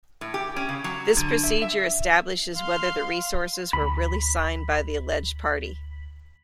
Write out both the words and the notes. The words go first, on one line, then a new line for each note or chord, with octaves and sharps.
This procedure establishes whether the resources were really signed by the alleged party.
A2
G4
C#4
C#3
F#3
D3
E5
E5
F5 C6
D2 B5